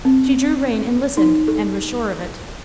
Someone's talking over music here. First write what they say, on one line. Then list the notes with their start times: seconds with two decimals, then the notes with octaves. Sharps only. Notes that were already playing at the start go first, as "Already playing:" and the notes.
She drew rein and listened, and was sure of it.
0.05 C4
1.17 D#4
1.48 A4